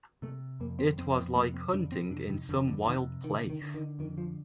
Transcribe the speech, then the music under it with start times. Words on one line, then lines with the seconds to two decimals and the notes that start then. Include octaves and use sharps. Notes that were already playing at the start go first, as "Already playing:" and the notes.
It was like hunting in some wild place.
0.22 C3 A3
0.60 F2 A#3
0.79 C4
0.97 F2 C4
1.16 C4
1.35 C3 A#3
1.54 C4
1.73 F2 D4
1.92 C4
2.10 C3 D4
2.30 D#3
2.49 F2 D3
2.68 D3
2.86 C3 D#3
3.24 D3 D#3
3.50 D#3
3.62 D3
3.74 D#3
3.99 F2 D#3
4.18 F3